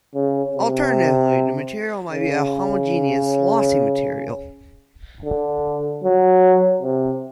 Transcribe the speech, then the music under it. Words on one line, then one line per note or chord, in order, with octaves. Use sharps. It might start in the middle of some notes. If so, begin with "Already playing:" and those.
Alternatively the material may be a homogeneous "lossy" material.
C#3
C3
C#3
D3
F#3
C3